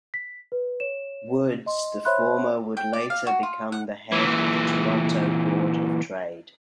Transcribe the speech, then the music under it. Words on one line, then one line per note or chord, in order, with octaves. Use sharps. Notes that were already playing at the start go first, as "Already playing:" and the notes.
Woods, the former would later become the head of the Toronto Board of Trade.
B6
B4
C#5 E7
D#5 C6
C5 C#5 E5 B5 C6 F#6
G5
D5
F5
F#4
F4
F#5
A#2 E3